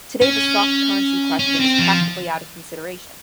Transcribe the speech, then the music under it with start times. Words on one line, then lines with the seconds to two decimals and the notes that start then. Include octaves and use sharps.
Today the soft currency question is practically out of consideration.
0.22 C#4
1.39 C#4
1.60 C4
1.79 F3